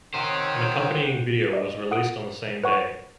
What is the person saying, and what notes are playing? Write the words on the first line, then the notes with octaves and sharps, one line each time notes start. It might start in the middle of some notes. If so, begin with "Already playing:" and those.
An accompanying video was released on the same day.
D#3 G4 C5 C#5 F#5 G5
D5 D#5
F#5 D#6 D7
B4 C#5 F#5 C#6